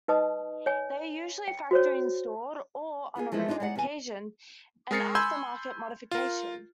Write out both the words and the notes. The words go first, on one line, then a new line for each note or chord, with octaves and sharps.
They are usually factory-installed or, on rarer occasion, an after-market modification.
D#4 B4 D#5 A5 D#6
C#5 G#5
G5
F#4 C5 C#5
B3 F4 F#4 G#4
E3 F3 G#3 A#3 E4
D4 D#4 F4 G#4 D5
G#3 D#4 D5 F#5
E2 C3 B3 F5 G#5
G#3 G#4 A#4 A6 C7 C#7
G#5 B5 C6 E6 G6 G#6
F4 A#4